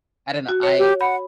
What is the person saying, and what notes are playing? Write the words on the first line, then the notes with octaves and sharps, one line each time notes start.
I don't know, I
F#4
C#5
G4
F#5 B5